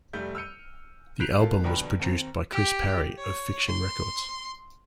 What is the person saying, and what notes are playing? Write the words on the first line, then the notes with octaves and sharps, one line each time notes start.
The album was produced by Chris Parry of Fiction Records.
F1 G3 A3 G6
E6 F6 G6 C#7 D#7
F#6 G6 B6 C7 D7 F7
A#3 F4 A4 F5
A#1 B2 D3 G5 A#5 B5
D#2 C4 A#5
G4
C#5
C6